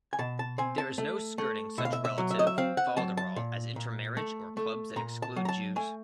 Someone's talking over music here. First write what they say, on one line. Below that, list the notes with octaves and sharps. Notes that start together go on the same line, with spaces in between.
There is no skirting such relative "fol-de-rol" as intermarriage or clubs that exclude Jews.
G#5
B2 A5
A5
C4 G#5
A5
A3
A3
B2 E5
F5
E5
E5
F#3
E5
D#5
E5
C4 F5
F#5
F#3 A5
A5
A#2
A#2
A3
A3
A#2 A#5
A5
F#3
A#5
A5
A3 G#5